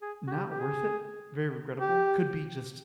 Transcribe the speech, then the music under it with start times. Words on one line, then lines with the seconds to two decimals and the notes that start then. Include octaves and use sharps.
not worth it, very regrettable." Could be just
0.02 G#4
0.28 F#4
0.31 G4
0.50 G4
0.61 G#4
1.80 G4